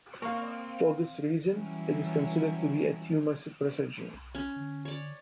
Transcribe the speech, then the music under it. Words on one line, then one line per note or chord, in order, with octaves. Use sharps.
For this reason, it is considered to be a tumor suppressor gene.
A#3 C4 F5 C#6
E3 F#3 G3 C#4 E4
B1
C#4
D3
C#5 D5